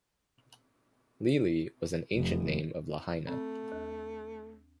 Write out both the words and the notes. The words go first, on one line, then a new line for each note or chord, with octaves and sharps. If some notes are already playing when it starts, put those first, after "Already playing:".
"Lele" was an ancient name of Lahaina.
F1
A3 C4
D#2